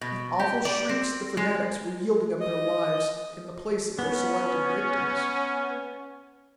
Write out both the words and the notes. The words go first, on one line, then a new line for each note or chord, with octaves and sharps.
With awful shrieks the fanatics were yielding up their lives, in the place of their selected victims.
B2
G4
D5
C4
G#3
D#5
B3 C#4